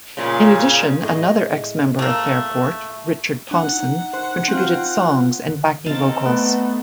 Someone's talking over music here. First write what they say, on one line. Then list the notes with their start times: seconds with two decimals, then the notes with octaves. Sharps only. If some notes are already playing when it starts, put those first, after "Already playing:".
In addition another ex-member of Fairport, Richard Thompson, contributed songs and backing vocals.
0.17 A#2 C#3
1.02 A2 G#3 D#5
1.99 A3 A#3
3.51 D4 F#5
3.73 D#4
4.13 C5
4.48 C4 F4
5.49 D3
5.86 C4 D#4 A4 F5 A5
6.25 A3 B3